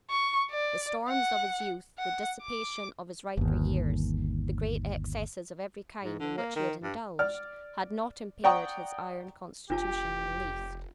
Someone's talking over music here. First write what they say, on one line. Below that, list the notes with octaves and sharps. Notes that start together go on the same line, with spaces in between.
The storms of his youth, the dissipation of his riper years, the great excesses of every kind in which he had indulged, had not impaired his iron constitution in the least.
C#6
D5
F#5
F#5
D6
G1 D#2
G#2
D3
A#3
D#3
G2
D5 F6
D5 F#5 G5 A#5 C#6 D#6
F1 D4 F4 G4 A5